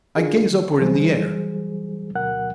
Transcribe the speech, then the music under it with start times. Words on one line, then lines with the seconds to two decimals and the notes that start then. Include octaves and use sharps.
I gaze upward in the air.
0.17 D4 F4 G#4
0.47 D#3
0.79 E3 F#3 G3 G#4 C5
2.15 D2 B2 F#3 A#4 F#5 F#6